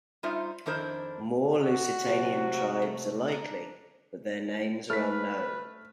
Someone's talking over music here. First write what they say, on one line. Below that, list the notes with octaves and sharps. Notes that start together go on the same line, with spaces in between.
More Lusitanian tribes are likely, but their names are unknown.
G3 D#4 F4 C5 E5
F2 D#3 D4 E4 A#4 C5
F#4
C3 F#3 A5
A#4 E5 F5
A3
D4 A#5
A3 B4 F6 B6